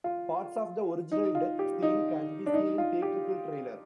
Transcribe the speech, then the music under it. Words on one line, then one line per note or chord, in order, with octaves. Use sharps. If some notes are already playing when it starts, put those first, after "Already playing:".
Parts of the original death scene can be seen in theatrical trailer.
F4
D#4
F4
G4
D#4
D4
D#4
F4
G4